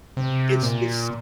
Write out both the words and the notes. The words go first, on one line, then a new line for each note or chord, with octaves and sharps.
It's it's
C3
A#2